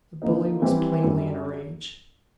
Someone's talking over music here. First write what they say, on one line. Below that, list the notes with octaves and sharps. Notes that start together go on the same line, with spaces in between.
The bully was plainly in a rage.
D3 F3 A#3 D#4
E3 G3 C4 E4 G4
F#2 D3 G3